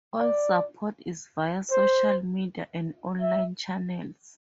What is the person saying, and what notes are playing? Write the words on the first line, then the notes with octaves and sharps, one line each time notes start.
All support is via social media and online channels.
D5
C5
E5